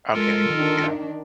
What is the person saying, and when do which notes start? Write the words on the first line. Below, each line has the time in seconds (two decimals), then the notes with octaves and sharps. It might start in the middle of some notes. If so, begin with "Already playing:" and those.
Okay, yeah.
0.14 G#3 F4 A4 A#4
0.51 D#3 D4